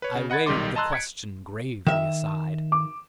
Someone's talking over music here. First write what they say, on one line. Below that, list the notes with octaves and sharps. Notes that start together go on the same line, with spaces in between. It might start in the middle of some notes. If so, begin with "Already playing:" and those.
I waived the question gravely aside.
B4 C#5
C#3
D#5 F#5 B5 G#6 A6
B1 D#3 G3 D#5 C6 D6
D#5 A5 A#5 C6 E6 F#6
G#6 B6 C#7 D7
D#3 E5 E7
D6